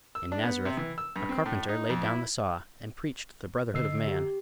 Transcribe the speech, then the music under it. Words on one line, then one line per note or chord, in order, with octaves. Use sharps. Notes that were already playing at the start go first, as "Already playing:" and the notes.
In Nazareth a carpenter laid down the saw and preached the brotherhood of man.
E6
D4
B3
C3
E3
E6
G2
C4
A2
D#4
F2
E4
D3 D#5 E6 C7
G4